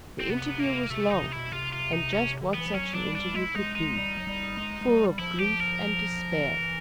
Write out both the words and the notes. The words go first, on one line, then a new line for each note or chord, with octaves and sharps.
The interview was long, and just what such an interview could be, full of grief and despair.
C4
C3 B3
A#3
C3 A3
C#3 D#4
C3
B2 E4
C3 F4
F4
D#4
C#4
D3
D#3
E3 B3
F3
F#3 C#4
D4
G3
D4
G#3 E4
G#3 D#4
D#4
G3
F#3
G3
G#3
G#3
G3
F3 E4
G4
A#4
E3